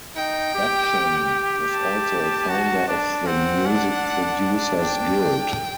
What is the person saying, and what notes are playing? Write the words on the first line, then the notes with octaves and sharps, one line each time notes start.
Dudgeon was also a founder of the Music Producers Guild.
D#4 G5
G4
A5
F#4
D4
C4 F#5
D4
G5